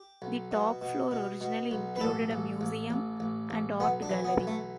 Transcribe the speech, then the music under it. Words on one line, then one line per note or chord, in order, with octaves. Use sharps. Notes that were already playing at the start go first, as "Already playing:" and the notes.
The top floor originally included a museum and art gallery.
Already playing: G4
B1
B2
B2
B2
B2
B1
B4
A1 A4
A1
A1
A1
A1
A1
B1 B3
D4
E3
B3
B1
A3